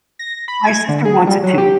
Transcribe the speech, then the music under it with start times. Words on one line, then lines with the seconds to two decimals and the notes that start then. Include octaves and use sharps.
My sister wants it too.
0.19 A#6
0.48 B5
0.67 G#6
0.89 D3
1.05 G#4
1.27 G3
1.43 F#3
1.58 G4